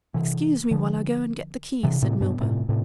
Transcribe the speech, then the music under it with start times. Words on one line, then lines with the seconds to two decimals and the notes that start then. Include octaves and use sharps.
"Excuse me while I go and get the key," said Milburgh.
0.14 C3 E3
0.71 D3 F3
1.83 C3 E3
2.02 A2 C3
2.21 G2 B2
2.40 A2 C3
2.69 A2 C3